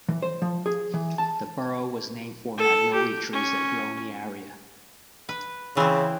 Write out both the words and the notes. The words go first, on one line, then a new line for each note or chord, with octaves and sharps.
The borough was named for magnolia trees that grow in the area.
E3
C5
F3
G#4
E3
A5
A4
G4
C#4
B4
C#3 E3 C4